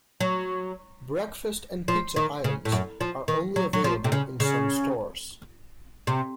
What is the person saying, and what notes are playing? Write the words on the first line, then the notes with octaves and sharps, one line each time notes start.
Breakfast and pizza items are only available in some stores.
F#3
F3
D#3
C#3
A2
F#2
F3
D#3
F#3
F#3
F3
C3
C#3
C#3
C3